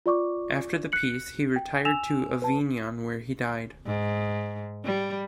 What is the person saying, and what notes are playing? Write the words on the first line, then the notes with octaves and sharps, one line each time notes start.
After the peace, he retired to Avignon, where he died.
F4 D5 C#6 D6
F#6 C#7 F#7
G5
G#5 E6 E7 F7
B4 A5
G#2
G3